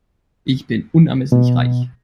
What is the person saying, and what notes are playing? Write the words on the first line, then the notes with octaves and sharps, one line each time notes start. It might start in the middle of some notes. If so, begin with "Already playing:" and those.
Ich bin unermesslich reich.
B2